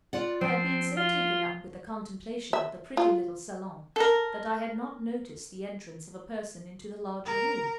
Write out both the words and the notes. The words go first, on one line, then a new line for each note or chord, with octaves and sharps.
I had been so taken up with the contemplation of the pretty little salon that I had not noticed the entrance of a person into the larger room.
F4 D5 F#5
F3 C4
F4
E5
F4
A4 A#4
A#4